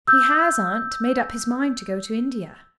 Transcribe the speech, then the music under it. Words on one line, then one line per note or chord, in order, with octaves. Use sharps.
"He has, aunt, made up his mind to go to India."
E6 G6